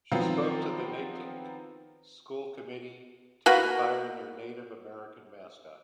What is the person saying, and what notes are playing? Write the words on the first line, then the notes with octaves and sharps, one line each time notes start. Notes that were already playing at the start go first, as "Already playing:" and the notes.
She spoke to the Natick School Committee to retire their Native American mascot.
D#3 F3 F#3 B3 C4 F4
A#3 F#4 B4 B5